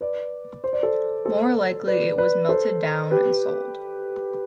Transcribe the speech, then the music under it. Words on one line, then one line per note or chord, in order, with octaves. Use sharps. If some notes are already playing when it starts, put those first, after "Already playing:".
More likely it was melted down and sold.
B4 D5
C5
D5
A4 C5
A4 C5
B4 D5
B4 D5
A4 C5
G4 B4